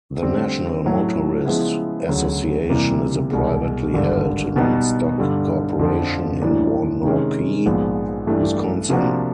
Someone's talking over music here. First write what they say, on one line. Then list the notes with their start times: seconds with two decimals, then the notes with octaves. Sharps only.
The National Motorists Association is a privately held, Non-stock corporation in Waunakee, Wisconsin.
0.22 D3 G3 C4
0.85 A2 F#3 A3
1.46 C#3 F3 G#3 B3 E4
2.08 D2 C#3 F#3
2.70 C3 E3 G3 A#3
3.31 C2 B2 G#3
3.94 G#1 G2 D3 G3
4.56 B2 G3 B3 D#4
5.18 G2 D3 G3
5.79 F2 D3 F3
6.42 A2 E3 G3 A#3 D4
7.03 C3 D#3 G#3 C#4
7.66 A#1 G#2 F3 G#3 B3
8.27 G2 E3 A3 D4 G4
8.89 C3 F3 A#3 D4 F#4